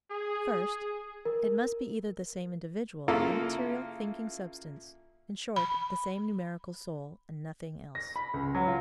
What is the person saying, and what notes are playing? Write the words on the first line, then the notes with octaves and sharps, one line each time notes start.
First, it must be either the same individual, immaterial, thinking substance; in short, the same numerical soul, and nothing else.
G#4
A#4
C#3 A#3 E4 F4 A4
B5
A#6
B5
C#2
F#3
F4